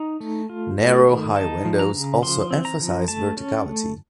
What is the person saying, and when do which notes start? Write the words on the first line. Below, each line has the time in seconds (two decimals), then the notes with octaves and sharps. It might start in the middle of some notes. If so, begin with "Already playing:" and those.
Narrow high windows also emphasize verticality.
Already playing: D#4 A#5
0.20 A3
0.49 F4
0.78 A3
1.07 D#3
1.36 D#4 A5
1.65 F3
1.79 A#5
1.94 C#3
2.22 F3 C6
2.51 C4
2.65 A#5
2.80 F3
3.08 A3 A5
3.37 C#4
3.66 A3